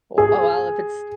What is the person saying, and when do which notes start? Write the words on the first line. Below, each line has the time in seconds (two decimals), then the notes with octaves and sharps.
O oh, well, if it's
0.18 G#4